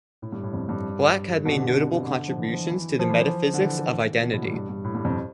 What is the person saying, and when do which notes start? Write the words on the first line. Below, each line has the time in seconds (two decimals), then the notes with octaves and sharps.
Black had made notable contributions to the metaphysics of identity.
0.22 A2
0.32 G2
0.43 A2
0.53 F2
0.69 G2
1.45 B2
1.51 D3
1.56 C3
1.66 D3
1.77 C3
2.07 D3
2.28 F3
2.38 E3
2.53 F3
2.69 E3
2.99 F3
3.10 E3
3.20 F3
3.54 D3
3.61 E3
4.23 B2
4.33 A2
4.43 G2
4.54 G2
4.69 G2
4.84 A2
4.95 G2
5.05 F2